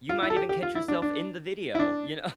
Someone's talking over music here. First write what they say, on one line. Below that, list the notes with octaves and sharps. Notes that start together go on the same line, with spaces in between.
You might even catch yourself in the video, you
F4
E4
A4
G4
G4
F4
E4
D4
D4
E4
D4